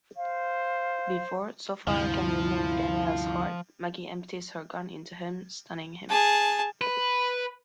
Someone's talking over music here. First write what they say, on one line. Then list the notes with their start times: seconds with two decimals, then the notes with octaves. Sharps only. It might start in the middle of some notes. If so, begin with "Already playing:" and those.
Before Zophael can remove Danyael's heart, Maggie empties her gun into him, stunning him.
0.17 C5 F5
1.87 D2 G2 C3 F3 E4
6.09 G#4 A5
6.81 B4